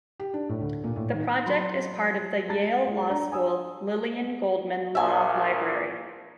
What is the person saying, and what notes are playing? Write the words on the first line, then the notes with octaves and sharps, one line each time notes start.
The project is part of the Yale Law School Lillian Goldman Law Library.
G4
D4
A2
D2
A#2
A2
D#3
F#3 B5 C6
G#3 A5 A6
G#3
D4 A#5
G#5 D#6 E6
A#1 A#2 E5 G#5